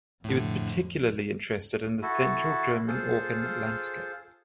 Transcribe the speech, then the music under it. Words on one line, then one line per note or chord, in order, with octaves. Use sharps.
He was particularly interested in the Central German organ landscape.
F2 A2 D3
E4 F#4 A4
F4 G#4 A4 C5